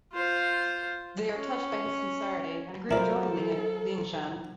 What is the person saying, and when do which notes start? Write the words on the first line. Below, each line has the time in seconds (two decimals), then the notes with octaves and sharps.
They are touched by his sincerity and agree to join Liangshan.
0.13 F4 C5
1.34 C#4
2.91 F#3 E4 F4 A4 A#4 C5 D5